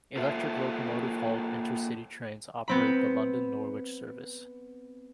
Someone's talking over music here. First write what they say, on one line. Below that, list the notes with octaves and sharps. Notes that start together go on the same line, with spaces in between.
Electric locomotive-hauled inter-city trains operate the London-Norwich service.
A#3 F4 G#4 A4 C5 E5
B3 C4 B5